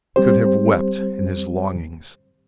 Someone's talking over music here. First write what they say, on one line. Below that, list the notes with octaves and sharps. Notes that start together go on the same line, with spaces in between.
He could have wept in his longings.
G3 C4 G4 C5